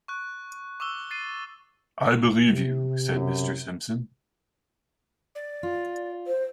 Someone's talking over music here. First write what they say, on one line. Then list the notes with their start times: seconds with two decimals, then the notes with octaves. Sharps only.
"I believe you," said Mr. Simpson.
0.08 C#6 F#6
0.80 C#6 D6 E6 G7
1.11 A6 C7 D#7
2.43 C3
3.12 F#2
5.35 D5
5.63 F4
6.27 C5